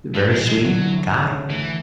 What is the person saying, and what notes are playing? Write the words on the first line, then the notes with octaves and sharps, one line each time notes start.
very sweet guy.
F#3 A3
E3 G#3
D3 G#3
D3 F#3
E3
D3
C#3
D3
E3 A3